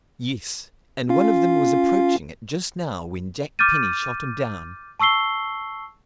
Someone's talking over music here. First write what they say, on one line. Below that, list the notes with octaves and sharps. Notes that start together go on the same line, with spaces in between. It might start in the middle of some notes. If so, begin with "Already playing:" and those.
"Yes; and one of them was approaching it just now when Jack Penny shot him down."
C#4 F4 F5
D6 F6 G6 A6 D#7
A5 C#6 E6 C7 G7